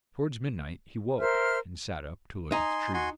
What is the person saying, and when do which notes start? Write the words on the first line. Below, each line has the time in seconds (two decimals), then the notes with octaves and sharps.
Towards midnight he awoke, and sat up to look at the tree.
1.18 A#4 C5 E5 F6
2.52 D#4 G#5 C6
2.94 F#4 G#5 C6